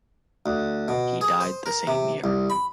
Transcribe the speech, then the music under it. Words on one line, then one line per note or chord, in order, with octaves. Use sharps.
He died the same year.
D2
B2
G#4
C5
A#4
C3
C2
B5